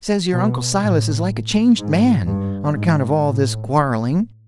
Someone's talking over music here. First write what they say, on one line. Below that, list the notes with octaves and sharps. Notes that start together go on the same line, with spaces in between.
Says your uncle Silas is like a changed man, on account of all this quarreling.
B2
A2
G#2
G2
G#2
A2